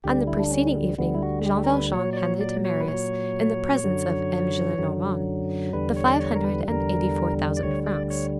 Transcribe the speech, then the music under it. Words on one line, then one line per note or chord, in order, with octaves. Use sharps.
On the preceding evening, Jean Valjean handed to Marius, in the presence of M. Gillenormand, the five hundred and eighty-four thousand francs.
D2 D3 G3 G4
E4
D4
C#4
D2 D3 G3 B3
E4
F#4
G4
A#4
B4
A#2 F#3 C#5
D5
C#5
D5
C#5
B4
A#2 F#3 C#5
F#2 D3 F#3
F#2 D3 F#3
E2 D3 G3 B4
C#5
D5
C#5
A#4
B4
E2 D3 G3 A#4
D5
D2 D3 G3 C#5
D5
C#5